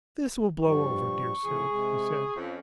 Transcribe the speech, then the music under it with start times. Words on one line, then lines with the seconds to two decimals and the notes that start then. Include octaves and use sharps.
"This will blow over, dear Sue," he said.
0.63 G2 F3 G3 C#6
1.44 A2 C3 F3 G#4
1.70 C3 G#3
2.36 F2 C#4